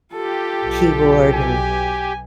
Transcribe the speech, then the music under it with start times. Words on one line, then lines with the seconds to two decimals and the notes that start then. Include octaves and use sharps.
keyboard and
0.13 F4 G4 A4
0.62 B1 B2
1.34 G#5